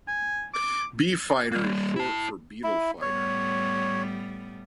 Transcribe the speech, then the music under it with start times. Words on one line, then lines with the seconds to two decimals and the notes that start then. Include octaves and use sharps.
B-Fighter is short for "Beetle Fighter".
0.08 G#5
0.54 D6
1.52 G3 A#3
1.96 E4 A5
2.64 E4
3.02 A2 G3 B3 C#5